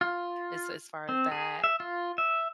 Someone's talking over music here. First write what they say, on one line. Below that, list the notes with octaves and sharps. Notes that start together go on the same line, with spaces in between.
as as far as that.
F4
C4
G#4
E5
F4
E5